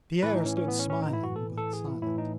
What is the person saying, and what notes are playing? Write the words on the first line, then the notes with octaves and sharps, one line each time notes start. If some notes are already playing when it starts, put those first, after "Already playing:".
Pierre stood smiling but silent.
A2 E3 B4
D#4
C#4
C#4
B3
C#4
C#4
D#4
E4
F#4
A4
A4
G#4
E4
A2 E3 E4
D#4